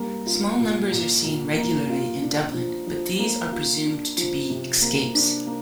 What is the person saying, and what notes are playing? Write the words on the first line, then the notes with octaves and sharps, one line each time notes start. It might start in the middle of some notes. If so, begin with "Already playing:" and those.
Small numbers are seen regularly in Dublin, but these are presumed to be escapes.
Already playing: G3 A#3
F4
A#2
A#2
A#2
A#3
F4
D4
F3
F3
A#3
F4
D4
F3
C3
A#3
D4
A#3